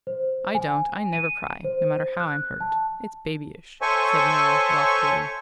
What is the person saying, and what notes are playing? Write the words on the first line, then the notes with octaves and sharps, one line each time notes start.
"I don't, I never cry, no matter how I'm hurt; it's babyish," said Nan, loftily.
C5
G#5
D#7
C5
F#6
A5
A4 C5 C#5 E5 G#5 C#6